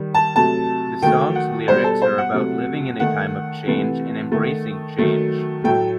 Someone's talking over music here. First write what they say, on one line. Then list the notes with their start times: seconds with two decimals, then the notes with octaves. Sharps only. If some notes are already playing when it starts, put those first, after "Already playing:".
The song's lyrics are about living in a time of change and embracing change.
Already playing: D#3 G3
0.14 A5
0.36 C3 F#3 A3 A5
1.02 D#3 F#3 A3 G5
1.35 F#5
1.68 B2 G3 C5
1.84 A4
2.02 C5
2.18 F#5
2.34 C3 F#3 A3
3.00 D#3 A3 F#5
3.67 C3 E3 A3
4.32 D#3 A3
4.99 D#3 F#3 A3
5.64 A2 F#3 A3 G5